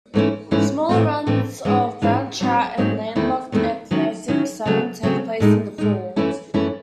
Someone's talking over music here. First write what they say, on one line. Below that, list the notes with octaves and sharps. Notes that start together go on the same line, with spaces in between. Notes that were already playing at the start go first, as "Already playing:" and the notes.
Smaller runs of brown trout and landlocked Atlantic salmon take place in the fall.
G#2 E3 A3 C#4 E4
G#2 E3 A3 C#4 E4
A2 E3 A3 C4
A2 E3 A3 C4
G#2 E3 G#3 C#4 E4
G#2 E3 G#3 C#4 E4
G#2 F#3 C4 D#4
G#2 F#3 C4 D#4
E2 D#3 A3 C4 E4
E2 D#3 A3 C4 E4
D#3 F#3 C#4 E4
D#3 F#3 C#4 E4
C#3 F#3 A3 C4
C#3 F#3 A3 C4
A2 G#3 D#4
A2 G#3 D#4
F#2 E3 A3 C#4 E4
F#2 E3 A3 C#4 E4